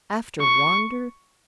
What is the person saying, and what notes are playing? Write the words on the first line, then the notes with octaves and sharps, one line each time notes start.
After Wander?
C#6